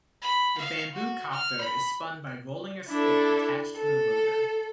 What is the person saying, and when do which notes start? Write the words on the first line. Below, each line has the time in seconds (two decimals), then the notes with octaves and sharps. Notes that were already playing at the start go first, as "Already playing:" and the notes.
The bamboo-copter is spun by rolling a stick attached to a rotor.
0.22 B5
0.57 F5
0.93 F#4
1.32 F6
1.61 B5
2.87 D4 E4 A4
3.75 A4